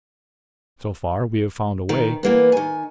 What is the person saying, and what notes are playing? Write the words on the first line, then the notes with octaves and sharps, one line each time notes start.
So far we have found a way.
D#3
E3 A#3 B3
D#3 G#5